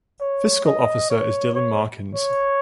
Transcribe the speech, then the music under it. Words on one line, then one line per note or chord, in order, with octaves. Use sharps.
Fiscal Officer is Dylan Markins.
C#5
D#5
C#5
C#5
C#5